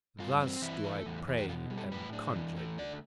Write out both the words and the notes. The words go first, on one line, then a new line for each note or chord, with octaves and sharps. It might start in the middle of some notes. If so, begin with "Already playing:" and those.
Thus do I pray and conjure you.
G2 F4
C4
E3 E4
A3
E2
E2
G4
B2 F4
G3
A4
A2 B4
D4
E3
A3
D3 D5